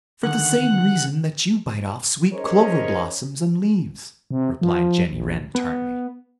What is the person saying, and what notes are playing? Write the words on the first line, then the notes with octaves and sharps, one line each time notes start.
"For the same reason that you bite off sweet clover blossoms and leaves," replied Jenny Wren tartly.
D3 D#3 F#5
C#4 D#4 G#4 A#4 C5 C#5
C3
F3
A#1
B3